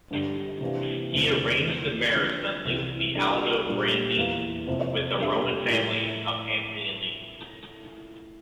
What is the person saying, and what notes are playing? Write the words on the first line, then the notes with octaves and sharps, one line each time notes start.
He arranged the marriage that linked the Aldobrandini with the Roman family of Pamphili.
G2 D3 G3
C3 E3 A#3 D4 G4
E2 C3 F3 A3 D4
E3 A3 E4
D3 F3 C4
C2 C3 E3
G3 D4 A4
A#2 G3 D4 A4
E2 E3 A#3 F4
F2 C3 F3
G3 D4 A4 E5
A2 F3 A3 E4 A#4